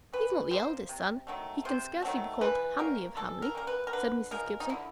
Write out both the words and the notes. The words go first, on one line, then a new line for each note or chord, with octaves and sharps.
"He's not the eldest son; he can scarcely be called Hamley of Hamley!" said Mrs. Gibson.
E3 B4
G3 A#3 C5
C3
D#3 F#3 A3
C3 C5
D#3 F#3 A3
E3 B4
G3 A#3 C#4 A#4
E3 A4
A#4
G3 A#3 C#4 A#4
B4
A#4
D3 B4
F3 G#3 A#4
D#4
D3 E4